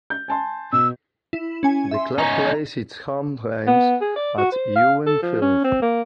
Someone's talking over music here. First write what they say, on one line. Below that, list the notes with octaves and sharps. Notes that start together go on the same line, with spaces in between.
The club plays its home games at Ewen Fields.
G6
G#5 A5 C6
B2 E6
E4
C#4 G#5
E5 C6
C#4 D#4 A#5
B3
G#4
D5
F#4
C5
F5
A4
F3
C#4
C4
A#3